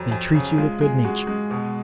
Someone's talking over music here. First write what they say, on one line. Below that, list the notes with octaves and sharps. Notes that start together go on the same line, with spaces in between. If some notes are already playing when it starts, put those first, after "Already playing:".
They treat you with good-nature.
Already playing: F2 F#3
F2
C#3
G#3 F4
G#3 G#4
G#3 F#4
G#3
B2